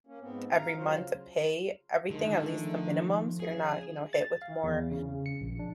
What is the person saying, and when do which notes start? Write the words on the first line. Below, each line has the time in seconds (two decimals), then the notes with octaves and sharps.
every month to pay everything, at least the minimum, so you're not, you know, hit with more,
0.07 A#3 C#4
0.21 G#2 B3 C4
0.51 F5 A#5
0.76 C#3 F#3 F4 C5
2.10 D3 D#3 F3 G#3
2.48 F3 A3
3.40 C#3 G#4
4.13 A6
4.42 F5
4.64 E2
4.91 C#3
5.26 C#7
5.41 A#1
5.59 D4